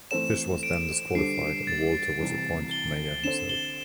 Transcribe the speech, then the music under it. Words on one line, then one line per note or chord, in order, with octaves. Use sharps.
Fish was then disqualified and Walter was appointed mayor himself.
E3 A3 C4 A4 C5 E7
D7
D3 G3 D4 A4 C5 C7
A6
C2 C3 E3
G7
D3 C4 A4 C5 E7
G7